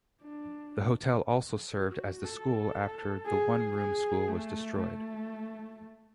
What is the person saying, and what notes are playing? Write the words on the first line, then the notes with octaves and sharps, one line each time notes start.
The hotel also served as the school after the one room school was destroyed.
D4
F#4
A4
G#4
G#4
A3
A3